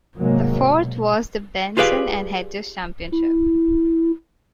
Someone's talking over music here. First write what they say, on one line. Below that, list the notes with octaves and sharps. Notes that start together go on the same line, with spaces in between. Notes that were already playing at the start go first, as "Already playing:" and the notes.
The fourth was the Benson and Hedges Championship.
G#2 C3 F#3 G#3 A#3
B2
F4 G4 G#4 B4 D5 F5
E4